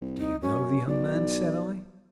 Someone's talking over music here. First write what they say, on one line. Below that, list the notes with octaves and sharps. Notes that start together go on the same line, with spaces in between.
"Do you know the young man?" said I.
C2
D#4
F#2 C#4
B1 D5